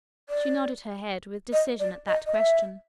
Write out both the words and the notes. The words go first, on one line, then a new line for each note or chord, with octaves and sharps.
She nodded her head with decision at that question.
D5
D#5
D5
D#5
D#5
E5